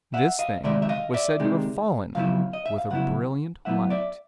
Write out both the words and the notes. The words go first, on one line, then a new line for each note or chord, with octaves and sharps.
This thing was said to have fallen with a brilliant light.
E5 F#5
D#5 F5
C3 D#3 G#3 D5 E5
E5
D#5 F5
D5 E5
C3 D#3 G#3
F2 C#3 F#3 B3 E4 F5
D#5
E5
F5
F2 C#3 F#3 B3 E4 F#5
A2 F#3 B3 E4 E5 F#5
D5 E5